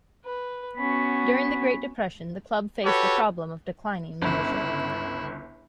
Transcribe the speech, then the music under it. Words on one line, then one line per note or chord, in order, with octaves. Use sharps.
During the Great Depression the club faced the problem of declining membership.
B4
B3 C#4 F#4 B5
F#4 G4 A4 B4 C#5
G1 C#2 E4